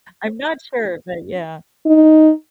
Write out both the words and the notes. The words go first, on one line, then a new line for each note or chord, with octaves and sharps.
I'm not sure, but yeah.
D#4